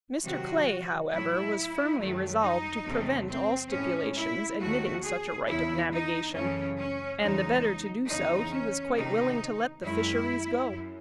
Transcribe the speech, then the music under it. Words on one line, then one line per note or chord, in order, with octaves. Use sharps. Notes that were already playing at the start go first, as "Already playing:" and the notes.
Mr. Clay, however, was firmly resolved to prevent all stipulations admitting such a right of navigation, and the better to do so he was quite willing to let the fisheries go.
C3 D#3 F#3 F#4
A2 F#3 A3 E4
F#2 D#3 F#3 A3
D#4
E2 C3 D#3 F#3 A3
C4
A2 G#3 C#4
E4
D#2 D#3 A3 F#4
G#4
E2 C#3 E3 E4
D#4
F#2 C#3 E3 A3 C#4
C#4
E2 C#3 E3 G#3 D#4
E2 C#3 E3 D#4
C#4
C3 D#3 A3 D#4
F#2 D#3 G#3 E4
F#2